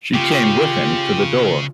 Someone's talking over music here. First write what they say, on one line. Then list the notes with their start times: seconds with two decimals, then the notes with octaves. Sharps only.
She came with him to the door.
0.14 C#3 F4 G4